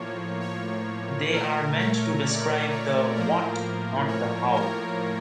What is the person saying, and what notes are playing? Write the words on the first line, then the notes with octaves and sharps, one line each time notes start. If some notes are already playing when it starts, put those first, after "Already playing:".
They are meant to describe the "what", not the "how".
Already playing: A2 F3 A#3 C#5
C#5
A#2 A3 A#4
C#5
D5
C#5
A2 F3 A#3 A#4
C#5
A#4